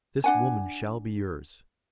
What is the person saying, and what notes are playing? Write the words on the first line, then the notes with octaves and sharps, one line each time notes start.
This woman shall be yours.
D4 F#5 G#5